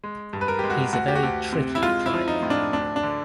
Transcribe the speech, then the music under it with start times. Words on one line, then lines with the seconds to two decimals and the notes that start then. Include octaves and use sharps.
He's a very tricky driver.
0.04 G#3
0.33 G2
0.41 B4
0.48 A#4
0.59 G#3 G4
0.70 F#4
0.93 D2 F#4
1.08 G4
1.15 F#4
1.23 D2
1.53 C3
1.75 E4
1.83 G#3 F4
2.06 E4
2.13 F3
2.28 D#4
2.43 A2
2.50 D4
2.73 D2 D4
2.96 D4
3.03 D3